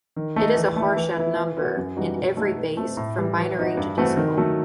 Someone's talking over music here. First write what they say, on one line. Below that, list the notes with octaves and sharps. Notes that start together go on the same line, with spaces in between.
It is a Harshad number in every base from binary to decimal.
D#3
A3 D#4
E3
A3 E4
E3
B3 E4
E3
B3 F#4
F#2
E3 G3 D#4 F#4
B2
A3 D#4 F#4
B2
A3 C4
A2
E3 G3
E3
B3 D#4 F#4
G2
E3 A3 C4 F#4
D#3
F#3 A3